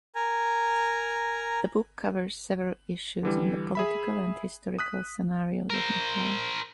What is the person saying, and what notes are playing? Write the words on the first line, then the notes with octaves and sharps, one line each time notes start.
The book covers several issues in the political and historical scenarios of Nepal.
A#4 G#5 A#5
D3 E3 G3
G#4 E5 B5
D#6 F#6 B6
A#4 C5